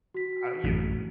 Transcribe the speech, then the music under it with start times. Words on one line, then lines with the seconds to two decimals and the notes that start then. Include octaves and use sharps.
uh, you know,
0.14 F#4 B6
0.64 A1 F#2